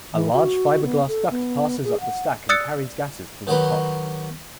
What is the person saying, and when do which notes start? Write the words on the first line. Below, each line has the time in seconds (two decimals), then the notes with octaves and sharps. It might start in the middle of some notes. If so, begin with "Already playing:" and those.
A large fiberglass duct passes up the stack and carries gases to the top.
0.13 E3
0.33 F#4
0.84 B3
1.08 A4
1.31 B3
1.84 G#4
2.01 F#5
2.49 D5 D#6 E6 F#6 A6 C#7
3.47 D#3 F#3 F#4 G4 B4